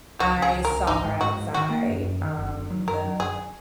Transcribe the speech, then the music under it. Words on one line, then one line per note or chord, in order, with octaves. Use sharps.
I saw her outside, um, the
C#2 F#4
C#2
G#4
C#2
A#4
C#2
G#1 D#4
G#2
G#2 F#4
G#2
D#3 F#4
A#3
F#2
F#2
D#3
F#1
F#1
F#3
F#2 A#4
F#3
F#2 G#4